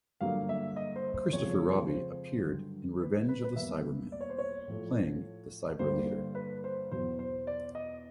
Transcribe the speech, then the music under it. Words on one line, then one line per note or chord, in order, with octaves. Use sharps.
Christopher Robbie appeared in "Revenge of the Cybermen", playing the Cyberleader.
G2 D3 F#3 A#3 F5
E5
D#5
C5
C5
F2 C#3 F3 G#3 C#5
C5
G2 D3 F#3
B4
B4
B4
E2 B2 G3 A#3 E5
D5
C#5
C5
C#5
A2 F3 A3
G2 D3 G3 A#3 C5
B4
C5
E2 B2 F#3 C5
C5
D5
D#5